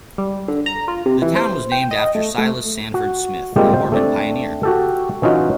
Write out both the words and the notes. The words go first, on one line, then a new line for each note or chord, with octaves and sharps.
The town was named after Silas Sanford Smith, a Mormon pioneer.
G3
D3
A#5
F4
C3
E3
C5
G5
D#5
A3
A3
F#4
G3 G#3 A#3 C4 F4 G4
C5
A3 C4 D4 D5
F#4 G4 A4
E3 C#4 D#4 F4 F#4